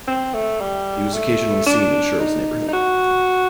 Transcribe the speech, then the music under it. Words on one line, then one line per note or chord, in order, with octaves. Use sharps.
He was occasionally seen in Shirl's Neighbourhood.
C4
A3
G3
A3
D4
D#4
D#4
F#4